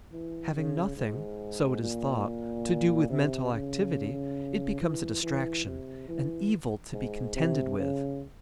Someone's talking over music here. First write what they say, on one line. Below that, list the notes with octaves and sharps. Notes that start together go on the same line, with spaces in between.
Having nothing, so it is thought, to do with mental activity, it becomes a distraction, an evil to be contended with.
E3
C#3
G#2
A#2
C3
C#3
E3
E3
C3
E3
G#2
C3
C#3